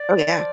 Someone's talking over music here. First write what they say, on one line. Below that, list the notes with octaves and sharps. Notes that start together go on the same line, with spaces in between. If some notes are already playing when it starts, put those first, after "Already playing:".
Oh, yeah.
Already playing: D5
F3